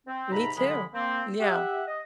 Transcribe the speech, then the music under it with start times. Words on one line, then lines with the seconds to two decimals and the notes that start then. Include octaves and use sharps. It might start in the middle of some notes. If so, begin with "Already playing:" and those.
Me too. Yeah.
0.07 C4
0.32 G#2 C3 A#5 B5
0.57 C2 D3 F#3 G#3 B5
0.94 A#3 C4
1.40 G4 E5 F#5
1.88 D#5